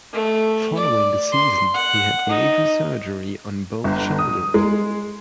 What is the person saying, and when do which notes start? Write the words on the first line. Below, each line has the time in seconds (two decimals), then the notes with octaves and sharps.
Following the season, he had major surgery on both shoulders.
0.13 A3
0.76 D5
1.32 C6
1.74 F#5
2.29 D#4
3.84 G1
4.19 D#6
4.54 G#3